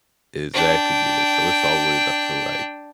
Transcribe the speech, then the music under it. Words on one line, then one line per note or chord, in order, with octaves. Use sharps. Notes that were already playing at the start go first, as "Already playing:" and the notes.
Exactly, yeah. So, as always I feel like
D4 G5